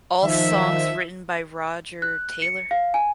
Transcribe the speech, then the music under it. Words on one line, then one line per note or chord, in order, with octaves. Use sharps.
All songs written by Roger Taylor.
D#3 F3 E5
F#6
C#7
F5
G#5